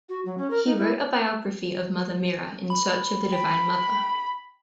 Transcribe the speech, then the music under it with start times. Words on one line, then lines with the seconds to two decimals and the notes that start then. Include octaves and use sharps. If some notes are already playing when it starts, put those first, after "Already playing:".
He wrote a biography of Mother Meera, "In Search of the Divine Mother".
0.09 F#4
0.25 F#3
0.38 C#4
0.50 A#4
0.66 D#4
0.78 E4
2.70 B5
3.32 G5 B5